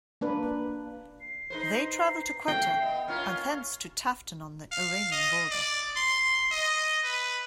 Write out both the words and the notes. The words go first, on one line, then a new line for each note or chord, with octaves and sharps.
They travel to Quetta, and thence to Taftan on the Iranian border.
A#3 D4 B4
C7
D#4 B4 C5
A3 G5
B3 D#5
A#3 C#4 F4 F6
F5
D#5
D5
C6
D#5
B4